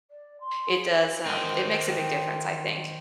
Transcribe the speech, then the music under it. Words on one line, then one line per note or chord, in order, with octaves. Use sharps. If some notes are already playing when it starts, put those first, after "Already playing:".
it does um, it makes a big difference, I think.
D5
C6
G#4
D#3 C4